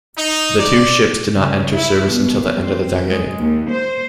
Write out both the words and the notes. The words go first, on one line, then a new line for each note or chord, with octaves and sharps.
The two ships did not enter service until the end of the decade.
D#4
D5
C#3
E4
B2
C4
G#3
D#2
C5